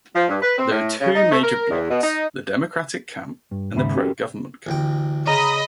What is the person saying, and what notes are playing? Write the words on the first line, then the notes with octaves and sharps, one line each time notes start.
There are two major blocs: the democratic camp and the pro-government camp.
F3
G2
B4
C4
A2
C#3
D#4
A3
A#4
E2
B2
D#4
G2
D#2 G#2 C#3 E5 B5
C#4 F#4 G4 A4 A#4
A1 D2 G5
C#3 D#5 A#5 B5